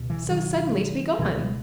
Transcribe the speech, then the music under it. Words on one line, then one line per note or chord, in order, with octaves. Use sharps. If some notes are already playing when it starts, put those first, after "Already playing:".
So suddenly to be gone!
Already playing: C#2 B2
E3
D#3 F#3
C#2 B2 E3 G#3
G#3 B3